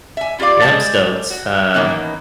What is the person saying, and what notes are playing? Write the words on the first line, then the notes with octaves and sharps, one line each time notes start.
Yeah, I'm stoked. Uh.
E5 G#5
E4 F4 G4 D5 F5
G3 G#3 C5 A5
F#4
D#3 E3 A#3 B3 C#4 D#4